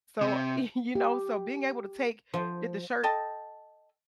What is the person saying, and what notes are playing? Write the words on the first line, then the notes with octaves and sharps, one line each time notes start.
So, y you know, so being able to take did the shirt
C3
G4
F3
A4 D#5 G5 A5